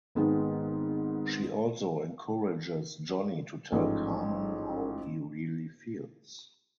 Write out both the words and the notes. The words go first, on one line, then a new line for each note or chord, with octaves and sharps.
She also encourages Johnny to tell Carmen how he really feels.
G#1 G#2 D#3 G#3 B3
A1 G#2 F3 A3